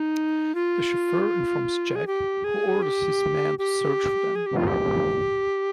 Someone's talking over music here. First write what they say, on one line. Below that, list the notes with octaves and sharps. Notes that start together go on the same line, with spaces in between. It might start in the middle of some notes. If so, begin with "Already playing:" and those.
The chauffeur informs Jack, who orders his men to search for them.
Already playing: D#4
F4
G#4
G4
G#4
G4
G4
G#4
G4
F4
G4